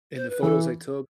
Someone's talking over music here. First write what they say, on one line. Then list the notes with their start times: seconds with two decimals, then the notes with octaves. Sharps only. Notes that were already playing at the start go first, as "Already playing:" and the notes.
and the photos I took
0.16 C5
0.29 B4
0.43 E3 A4